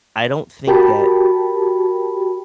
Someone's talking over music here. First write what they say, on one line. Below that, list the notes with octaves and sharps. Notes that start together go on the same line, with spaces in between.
I don't think that
F#4 G4 A#4 G5 A5 B5